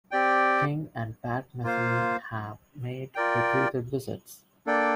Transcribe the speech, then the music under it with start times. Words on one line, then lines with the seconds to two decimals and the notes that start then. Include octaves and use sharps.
King and Pat Metheny have made repeated visits.
0.11 C4 G4 D5 G5
1.64 A#3 F4 C5 F5
3.15 F4 A#4 D5 G5
4.66 A#3 D4 A4 D5 G5